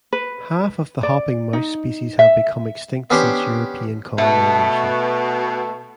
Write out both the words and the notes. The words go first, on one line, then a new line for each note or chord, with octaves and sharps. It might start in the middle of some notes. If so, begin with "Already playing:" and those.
Half of the hopping mouse species have become extinct since European colonisation.
B4
D5
D#4
E5
B3 C#4 D4 G4 C5
B2 A3